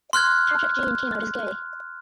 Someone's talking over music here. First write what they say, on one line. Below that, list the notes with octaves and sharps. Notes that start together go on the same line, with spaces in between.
Patrik Jean came out as gay.
C6 F6 F#6 G#6